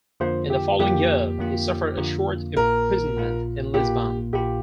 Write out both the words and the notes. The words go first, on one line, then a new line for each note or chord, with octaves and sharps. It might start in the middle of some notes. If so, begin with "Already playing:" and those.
In the following year he suffered a short imprisonment in Lisbon.
F2 D3 A#3 F4 C5
G4
F2 D3 A#3 F4 G4
F2 D3 A#3 F4
F2 D3 A#3 F4
A#1 A#2 A#3 F4 A#4
A#1 A#2 A#3 F4
A#1 A#2 A#3 F4 G4
A#1 A#2 A#3 F4 G4